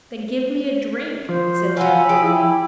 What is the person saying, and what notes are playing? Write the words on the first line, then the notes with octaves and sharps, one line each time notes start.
"Then give me a drink," said Javert.
F3 C5
F#4
F#3 F4 F#5 G#5 B5 E6
G4 G#4
E4